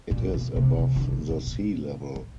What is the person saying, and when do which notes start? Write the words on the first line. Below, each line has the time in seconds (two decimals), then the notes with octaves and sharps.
It is above the sea level.
0.11 A#2
0.34 B2
0.56 C3
0.79 C#3
0.96 D3
1.12 C#3
1.30 B2
1.47 A#2
2.15 A2